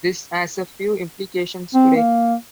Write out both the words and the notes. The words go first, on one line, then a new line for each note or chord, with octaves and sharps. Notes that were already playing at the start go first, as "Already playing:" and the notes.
This has a few implications today.
C4
A#3